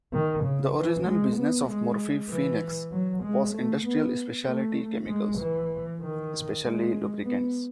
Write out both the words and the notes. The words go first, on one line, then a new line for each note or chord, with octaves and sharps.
The original business of Murphy-Phoenix was Industrial Specialty Chemicals, especially lubricants.
D#3
C#3
E3
G#3
B3
G#3
E3
F#3
G#3
A3
B3
A3
G#3
E3
D#3
G#3
B3